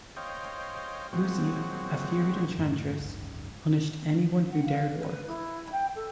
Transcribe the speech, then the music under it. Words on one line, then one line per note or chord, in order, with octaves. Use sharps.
Lussi, a feared enchantress, punished anyone who dared work.
C5 C#5 D#5 F5 G5
A#2 F#3 G#3 C4 F#4
F2 G#2 A3
F#1 C#2 G#2
F#5
F5
B4
E4
G5
A4